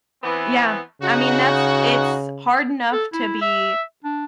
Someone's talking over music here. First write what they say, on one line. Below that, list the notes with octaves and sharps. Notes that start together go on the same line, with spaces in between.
Yeah. I mean, that's It's hard enough to be
E3 B3 C4
C#3 D#4 F#4
A4
E4
E5
D4